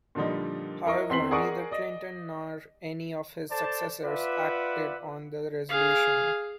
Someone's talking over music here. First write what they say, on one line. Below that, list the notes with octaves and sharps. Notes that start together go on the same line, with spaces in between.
However neither Clinton nor any of his successors acted on the resolution.
A#2 D3 F3 G3 D#4
E4 A#4 D#5 C#6
E2 C4 C6 B6 C7 F#7
G#4 A#4 D5 F#5 C#6 D#6
D5 D#5
A4 C5 D5 A5
F4 B4 D5 E5 F#5
G#4 F5